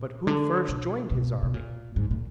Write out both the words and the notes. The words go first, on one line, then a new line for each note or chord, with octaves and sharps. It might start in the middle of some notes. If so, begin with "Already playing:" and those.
But who first joined his army?
Already playing: A#2
D3
B2
B2
B2
A#2
G#2
A#2